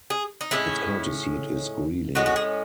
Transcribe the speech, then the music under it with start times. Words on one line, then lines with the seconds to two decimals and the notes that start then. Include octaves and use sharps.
Its county seat is Greeley.
0.10 G#4
0.41 D#4
0.51 A2 G#3 C#4 E4
2.15 A2 G#3 C#4 F#4
2.26 F#4
2.36 G#4